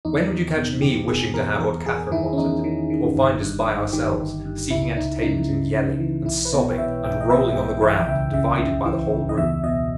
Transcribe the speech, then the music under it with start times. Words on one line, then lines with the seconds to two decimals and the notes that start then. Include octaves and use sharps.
When would you catch me wishing to have what Catherine wanted? or find us by ourselves, seeking entertainment in yelling, and sobbing, and rolling on the ground, divided by the whole room?
0.05 E2 D#4
0.31 E2
0.57 B2
0.82 E2 G4
1.08 B2 G#4
1.34 E2 A#4
1.60 E2 A#4
1.86 E2 G#4
2.11 D#3 E4
2.33 C#4
2.38 E2 D#4
2.64 D#3
2.90 D#3
3.15 G1
3.41 G2
3.68 G2
3.93 D#3 G4
4.20 G1
4.45 G2
4.71 C#2 E4
4.97 C#2 D#4
5.22 C#3 D#4
5.48 C#3
5.74 C#3
6.00 E3
6.26 B1 E4
6.45 B4
6.53 B2 C#5
6.71 G5
6.78 B2 E5
7.04 B1 G5
7.21 D#5
7.30 B2 E5
7.48 E5
7.56 B1 G5
7.82 E3 E5
7.90 G5
7.97 E5
8.08 C#2 E5
8.34 C#3 E5
8.59 C#3
8.85 E3
9.11 C#2
9.29 D#5
9.37 E2 E5
9.63 B2 D#5